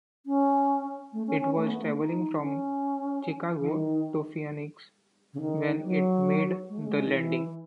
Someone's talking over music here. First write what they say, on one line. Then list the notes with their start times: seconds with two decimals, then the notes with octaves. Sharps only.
It was traveling from Chicago to Phoenix when it made the landing.
0.26 C#4
1.13 A3
1.27 C#4
1.40 C#4
1.55 A3
1.68 B3
1.82 A3
1.98 D#4
2.35 D#4
2.40 C#4
3.59 E3
3.69 D#3
5.33 C#3
5.41 D#3
5.83 F#3
6.69 G#3
6.77 A3
6.86 G#3
7.06 D#3
7.12 E3